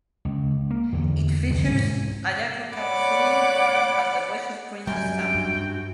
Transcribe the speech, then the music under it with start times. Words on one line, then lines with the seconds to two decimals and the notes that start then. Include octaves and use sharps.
It features Ayako Kawasumi as the voice of Princess Tama.
0.25 C#2
0.71 A#3
0.92 E2 D3
1.50 C2 F2 D3
1.69 G#2 C3 E3
2.75 C#5 D5 F#5 B5 D6
4.87 F#2 G3 G5 G#5
5.34 G2 F#4